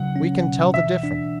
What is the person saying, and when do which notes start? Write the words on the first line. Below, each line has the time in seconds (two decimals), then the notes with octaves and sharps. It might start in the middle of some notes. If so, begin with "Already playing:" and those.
We can tell the difference.
Already playing: C#3 F#3 F#5
0.16 C#4
0.45 B2
0.74 E3 E5
1.03 D4